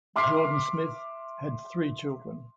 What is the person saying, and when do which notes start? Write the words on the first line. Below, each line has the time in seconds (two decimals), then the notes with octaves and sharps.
Jordan-Smith had three children.
0.16 E5 C6 D6 F6 B6 C7